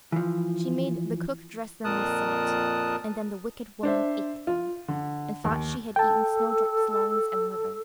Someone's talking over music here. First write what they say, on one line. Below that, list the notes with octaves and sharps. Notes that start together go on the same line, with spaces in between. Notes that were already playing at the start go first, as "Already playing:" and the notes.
She made the cook dress them with salt, and then the wicked woman ate them, and thought she had eaten Snowdrop's lungs and liver.
E3 F3
F2 A#2 A#4 A5 D#6 F#6
D4 C5 E5
F4
D3
D#2
A4 G5 A5